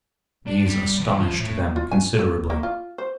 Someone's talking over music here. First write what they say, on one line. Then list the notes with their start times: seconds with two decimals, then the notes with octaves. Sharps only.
These astonished them considerably.
0.47 D4
0.67 G3
1.00 E2
1.19 F3
1.38 A2
1.76 F4
1.91 G#5
2.19 A4
2.50 A#3
2.63 F4
2.98 C5